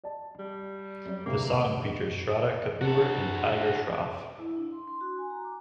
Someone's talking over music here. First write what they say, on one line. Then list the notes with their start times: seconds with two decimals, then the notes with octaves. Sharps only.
The song features Shraddha Kapoor and Tiger Shroff.
0.04 D5 D#5 A5
0.39 G3
1.05 F#2 F#3 D5
1.26 D2 G2 C3 A#3
2.81 F#4 A4
4.39 E4
4.57 D4
4.72 C6
4.87 C6
5.01 F#4
5.18 G#5
5.30 A#5
5.44 D6